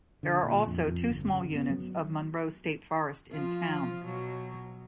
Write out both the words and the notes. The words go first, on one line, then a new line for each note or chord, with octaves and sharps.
There are also two small units of Monroe State Forest in town.
D3
A#2
F2
F2
G1
C#3
B3
F#3
F3 F4
B2 F#3